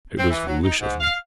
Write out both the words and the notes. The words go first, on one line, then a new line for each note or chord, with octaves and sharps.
It was foolish of me.
C4
E3
F#3
D#4
G#2
F5